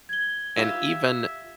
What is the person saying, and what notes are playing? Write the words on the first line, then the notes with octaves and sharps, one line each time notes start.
and even
G#6 G7
F4 G4 E5